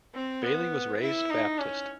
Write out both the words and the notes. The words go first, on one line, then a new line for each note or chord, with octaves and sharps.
Bailey was raised Baptist.
C4
B3
E4
D#4
C#4